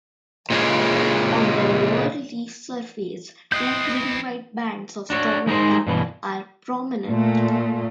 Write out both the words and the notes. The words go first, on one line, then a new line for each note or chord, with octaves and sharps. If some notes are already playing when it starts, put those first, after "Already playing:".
On the lower leaf surface, two green-white bands of stomata are prominent.
A#2 C#3 G#3
C4 E4 D#5 F#6 G6
D4 F#4 C#5
G#3 D#4 A#4 C5
G2 B2 E3
A#2 A3